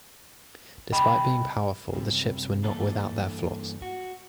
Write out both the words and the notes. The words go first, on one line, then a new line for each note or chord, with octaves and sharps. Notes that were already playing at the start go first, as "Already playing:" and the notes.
Despite being powerful the ships were not without their flaws.
C2 D#5 G5 B5
F#2 C3 G3
G2 E3 A3 A#3 D4 A4
F#4